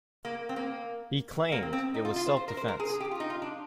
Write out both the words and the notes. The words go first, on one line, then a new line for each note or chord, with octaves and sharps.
He claimed it was self-defense.
A#3
C4
A#3
A#3
C4
C4
D#4
F4
F4
C5
C5
A#4
C5
A#4
G#4
G#4
G4
F4
D#4
F4
D4